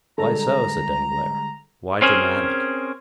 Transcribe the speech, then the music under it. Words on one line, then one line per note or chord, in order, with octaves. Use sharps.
"Why so?" said Danglars; "why dramatic?"
D3 G3 G#3 A4 A#5
C4 C#4 G#4 A#4 C5